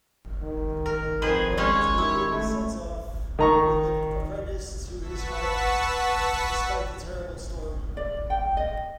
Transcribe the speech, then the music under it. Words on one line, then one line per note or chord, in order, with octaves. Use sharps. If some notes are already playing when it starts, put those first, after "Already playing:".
Grimes immediately sets off with the apprentice to his hut, despite the terrible storm.
D#3
A#4
F2 D#3 G#4 B4 C5
G#3 C#4 C#5
D#3 E4
A3
D#3 A#5 C#6
B4 F#5 A5 C#6 E6 B6
D5
G5
D#5